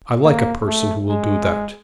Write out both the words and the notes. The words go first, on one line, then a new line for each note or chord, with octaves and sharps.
I like a person who will do that.
A#3
A3
G#3